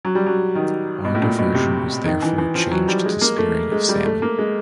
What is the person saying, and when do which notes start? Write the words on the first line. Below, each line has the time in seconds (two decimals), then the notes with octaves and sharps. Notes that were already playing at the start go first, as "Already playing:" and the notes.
Our diversion was therefore changed to spearing of salmon.
0.05 F#3
0.15 G3
0.26 F#3
0.55 D#3
1.04 B2
1.15 A2
1.22 A#2
1.38 B2
1.54 C3
2.05 D#3
2.22 E3
2.38 E3
2.55 F3
2.71 F#3
2.88 G3
3.06 G#3
3.21 A#3
3.38 A3
3.72 G#3
3.89 G3
4.05 A3
4.22 A#3
4.39 G#3